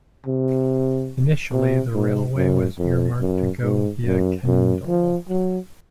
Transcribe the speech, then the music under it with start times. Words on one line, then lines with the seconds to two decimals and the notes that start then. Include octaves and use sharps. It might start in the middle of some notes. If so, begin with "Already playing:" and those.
Initially the railway was earmarked to go via Kendal.
0.26 C3
1.52 C3
1.94 G#2
2.37 F#2
2.78 F2
3.21 F#2
3.61 G#2
4.05 F#2
4.46 F#2
4.87 F3
5.29 F#3